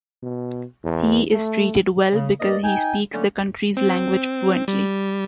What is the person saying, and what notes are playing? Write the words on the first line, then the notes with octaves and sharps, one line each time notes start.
He is treated well because he speaks the country’s language fluently.
B2
E2
A3
C#3
G2 A#3 A#4 D5 D#5
D#4 G5 G#5
D3 F#3 A3 A#3 C#4
C4
G3